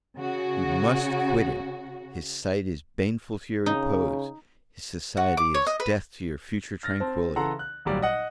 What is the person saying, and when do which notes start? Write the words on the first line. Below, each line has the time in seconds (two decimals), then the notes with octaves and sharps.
You must quit him!-his sight is baneful to your repose, his society is death to your future tranquillity!
0.17 C#3 F#4
3.66 C#3 D#4
5.17 F#4
5.37 D6
5.54 C#5
5.67 D#5
5.80 B4
6.83 F6 A6 A#6
7.00 C4 A5
7.36 C#3 E3 A4 F#5 A#5 C6
7.59 F#6
7.85 G#1 A#2 F#3 G3 D5
8.02 D#5 F#5